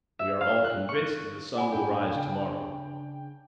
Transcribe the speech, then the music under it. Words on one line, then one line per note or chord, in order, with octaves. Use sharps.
We are all convinced that the sun will rise to-morrow.
E5
F5
F#6
C#6
F#5 G#5 B5
A2 D4 G5
C#3 D4 G5